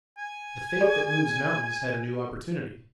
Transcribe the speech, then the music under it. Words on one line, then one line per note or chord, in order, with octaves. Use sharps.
The faith that "moves mountains" had a new opportunity.
G#5
G#4 A4 D5